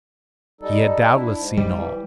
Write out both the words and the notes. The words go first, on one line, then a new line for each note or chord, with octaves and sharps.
He had doubtless seen all.
G3 D#4 A4
D4 E4
G#2
G3
E3